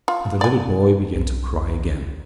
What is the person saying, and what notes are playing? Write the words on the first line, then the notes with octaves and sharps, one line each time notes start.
And the little boy began to cry again.
F4
D5 G#5
B1